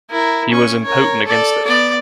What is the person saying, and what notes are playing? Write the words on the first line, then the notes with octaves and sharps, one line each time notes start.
He was impotent against it.
E4 A#4
C#4 C#6
A#4 C#5
A4 D5
B3 D5